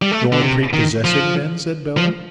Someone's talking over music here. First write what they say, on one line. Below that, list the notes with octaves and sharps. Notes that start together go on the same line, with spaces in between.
'Nor prepossessing then?' said Bella.
G3
A3
D3
C3
D#3
F3
F3